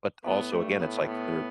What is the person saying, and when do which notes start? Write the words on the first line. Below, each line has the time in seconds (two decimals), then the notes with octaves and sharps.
but also, again, it's like there,
0.24 A2 B3
0.53 G2 A3
0.80 A2 B3
1.08 B3